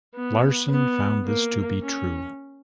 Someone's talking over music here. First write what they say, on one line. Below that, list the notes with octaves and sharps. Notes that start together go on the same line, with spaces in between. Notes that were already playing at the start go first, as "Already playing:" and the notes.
Larson found this to be true.
B3
B3
A#3
C#4